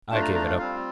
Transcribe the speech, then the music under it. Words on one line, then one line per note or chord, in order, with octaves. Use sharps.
I gave it up.
A3 D4 F4 A5
A#5
A#5
F5
G3 C4 F4 F5